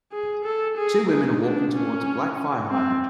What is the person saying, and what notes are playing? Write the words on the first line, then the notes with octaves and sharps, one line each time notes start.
Two women are walking towards a black fire hydrant.
G#4
A4
G#4
D#4
D4
C#4
C4